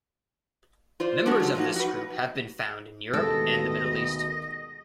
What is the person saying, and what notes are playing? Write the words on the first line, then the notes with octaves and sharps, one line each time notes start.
Members of this group have been found in Europe and the Middle East.
F4 C5 D5
G#3 A3 D4 F#4 G4 A#4
G#2 F#3
F3 A#3 D#4 F#4
F#4 B4
D2 B2 D#3 G#3 G4 A4 D#5